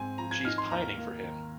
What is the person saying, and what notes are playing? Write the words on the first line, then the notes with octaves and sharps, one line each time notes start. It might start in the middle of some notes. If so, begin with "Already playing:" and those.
She's pining for him.
Already playing: G#2 C4 G#5
F3 A#5
G#6
D#4 F6
C6
D#2 A#5
A#3
D#3